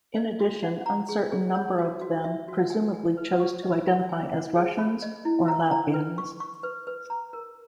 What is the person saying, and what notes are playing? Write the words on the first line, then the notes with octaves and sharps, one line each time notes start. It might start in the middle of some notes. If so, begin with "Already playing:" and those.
In addition uncertain number of them presumably chose to identify as Russians or Latvians.
D#5
F#4
F#5
A#5
G#4
G#4
C#5
F#4
F#4
E5
F#4
G#5
G#5
B4
C#6
D#5
F#4
G#5
F#5
G#4
B5
D#5
E4
A#5
A#5
B4
C#6
C#6
B4
B4
A#5
A#4